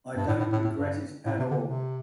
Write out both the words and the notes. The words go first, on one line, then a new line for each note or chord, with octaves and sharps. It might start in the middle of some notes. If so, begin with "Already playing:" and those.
I don’t regret it at all.
G2
A2
A2
A2
A2
G2
A2
C3
D3
C3